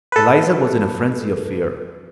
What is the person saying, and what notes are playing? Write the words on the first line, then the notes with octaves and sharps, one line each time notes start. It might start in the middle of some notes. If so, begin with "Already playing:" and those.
Eliza was in a frenzy of fear.
A4 B4